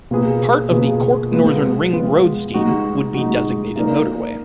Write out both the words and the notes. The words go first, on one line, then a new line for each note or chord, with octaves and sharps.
Part of the Cork Northern Ring Road scheme would be designated motorway.
B2 A#3 F4 G#4 B4
B2 A#3 F4 G#4 B4
G#3 B3 F4
G#3 B3 F4
G#3 D#4 F#4
G#3 D#4 F#4
A#3 D#4 A#4 D5